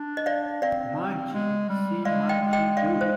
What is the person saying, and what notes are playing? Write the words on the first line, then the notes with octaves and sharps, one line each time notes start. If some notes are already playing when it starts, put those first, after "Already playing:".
Monkey see Monkey do.
Already playing: D4
D#5
D5 F5
C4 D5 F5
G#3
G3
G#3 D5 F5
D#5 G5
G#3
D#5 G5
D5 F5
C5